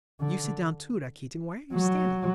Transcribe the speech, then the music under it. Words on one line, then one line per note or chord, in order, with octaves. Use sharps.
You sit down, too, Rakitin; why are you standing?
D3
F#3